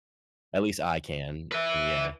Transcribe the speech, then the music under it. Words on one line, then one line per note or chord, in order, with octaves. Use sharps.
at least I can, and yeah.
B4 E5